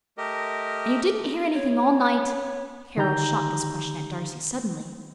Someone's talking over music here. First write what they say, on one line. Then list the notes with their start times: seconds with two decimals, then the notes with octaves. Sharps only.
"And you didn't hear anything all night?" Carroll shot this question at Darcy suddenly.
0.18 A3 G4 A#4 D#5
1.54 C#5
2.97 D3 D#3 D#4 G4 A#5 G6